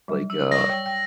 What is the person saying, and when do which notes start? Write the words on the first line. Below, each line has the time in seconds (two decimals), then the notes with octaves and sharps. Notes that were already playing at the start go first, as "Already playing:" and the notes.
Like, uh,
0.08 F#3 G3
0.30 E6
0.52 G3 D5 C#6 A#6
0.66 C#5 G5
0.86 G5